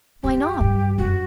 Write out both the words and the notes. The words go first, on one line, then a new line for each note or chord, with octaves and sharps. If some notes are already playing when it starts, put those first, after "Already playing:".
"Why not?"
F#2 G4
G2
F#2 F#4